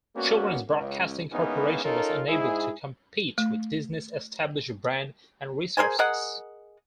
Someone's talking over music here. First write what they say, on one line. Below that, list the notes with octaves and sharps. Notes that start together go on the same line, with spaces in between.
Children's Broadcasting Corporation was unable to compete with Disney's established brand and resources.
G3 A#3 B3 C#4 F#4
C#2
E3 G#3 A#3 B3 C#4 D#4
C#4 D#4 F4 A4 A#4
G#2 E4 G#4
A3
G#4 A#4 C5 G#5
G#4 A#4 D#5 F#5